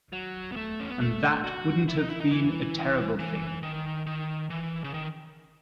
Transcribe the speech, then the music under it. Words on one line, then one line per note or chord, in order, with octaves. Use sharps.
And that wouldn't have been a terrible thing.
F#3
B3
A3
C#4
B3
A3
F#4
E4
D#4
E4
D#4
E3
E3
D#3
D#3
E3
C#3
D#3